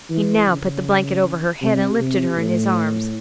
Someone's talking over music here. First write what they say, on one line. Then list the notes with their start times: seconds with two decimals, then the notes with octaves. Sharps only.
He now put the blanket over her head and lifted her in his arms.
0.10 E3
0.48 C#3
1.62 C3
2.00 C3
2.37 A2